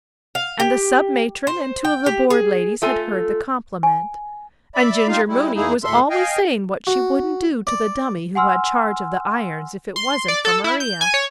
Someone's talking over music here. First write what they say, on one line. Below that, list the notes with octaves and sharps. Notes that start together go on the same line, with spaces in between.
And the sub-matron and two of the Board ladies had heard the compliment. And Ginger Mooney was always saying what she wouldn't do to the dummy who had charge of the irons if it wasn't for Maria.
F5
G4
C5
G5
G4
G#4
A3 F4 A4 G#5
G#5
D5 E5 B5
G3 D#4 F4 F5
G3 G#3 E4
E2 A#3 D#4 E4 G#4
D2 A2 A4 E5 C6
D#5 F5 G5 G#5
F#4
D5
F#5 G#5 C6 E6 F6
C6
D5
A4
E4
G6
G#5
C#5